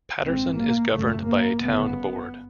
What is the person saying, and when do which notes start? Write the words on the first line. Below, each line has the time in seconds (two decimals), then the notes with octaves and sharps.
Patterson is governed by a town board.
0.24 A#1 G#2 C4
0.58 A#3
0.93 G#1 F#2 C#3 A3
1.28 A#3
1.62 G1 F#2 C#3 B3